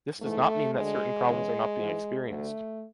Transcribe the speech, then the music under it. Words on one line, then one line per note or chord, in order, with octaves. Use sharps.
This does not mean that certain problems are not being experienced.
G#2 E3 A3
D2 D3 G#3
E2 C#3 E3
G#2 E3
D2 D3 A3